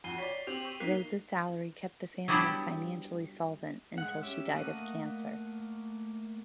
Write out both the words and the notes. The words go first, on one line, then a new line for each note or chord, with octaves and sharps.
Rose's salary kept the family financially solvent until she died of cancer.
F2 F#4 C7 D#7 G7
C#5 D5 B6
C4 G4 F7 F#7
C#6
A#3 D#4 F#6 B6 C7
F#3 G3 B3 D4 E4 G4
G#3 F#5
C#4 G4 E5
A3 A#3 A4 D#5 F#5